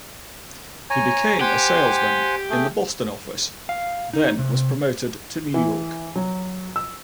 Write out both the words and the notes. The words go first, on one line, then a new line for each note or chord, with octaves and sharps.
He became a salesman in the Boston office, then was promoted to New York.
C#5 G#5 A#5
G4 C5 F#5 G#5
A3 G#4 G5
F5
D#4
C3
E3
F#3
E6